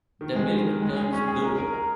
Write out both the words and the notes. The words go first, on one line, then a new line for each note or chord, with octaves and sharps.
The milk turns blue!
D#3
G#3
D#3
D#3
G#3
G#4
C#4
G#4
A#4
A#4
A#4